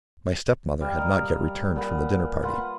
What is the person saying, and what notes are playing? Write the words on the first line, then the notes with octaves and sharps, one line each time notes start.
My stepmother had not yet returned from the dinner-party.
G3 F5
A#4 D#5
A#2 B4 F#5
F4 B4 F#5